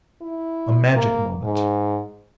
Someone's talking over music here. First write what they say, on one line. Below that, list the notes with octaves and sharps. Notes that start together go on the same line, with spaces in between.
A magic moment.
E4
A#3
G#2